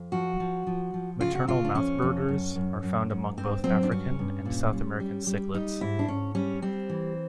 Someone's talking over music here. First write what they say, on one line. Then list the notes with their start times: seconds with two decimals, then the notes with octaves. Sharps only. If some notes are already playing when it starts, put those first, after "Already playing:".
Maternal mouthbrooders are found among both African and South American cichlids.
Already playing: F2
0.12 F3 F#4
0.40 F3
0.67 F3
0.94 F3
1.21 C#3 F4
1.35 F#4
1.48 C#3 F4
1.65 D4
1.75 F2 C#4
2.02 F2
2.29 F#2
2.56 F#2
2.83 F#2
3.10 F#2
3.37 G2 C4
3.64 F#3 C4
3.83 D4
3.91 G2 C#4
4.19 G2
4.45 A#2
4.73 G3
5.00 G3
5.27 G3
5.54 G3 D#4
5.81 G#2 E4
5.99 D4
6.08 G#2 C#4
6.35 G3 C#4
6.62 G3 C4
6.89 E3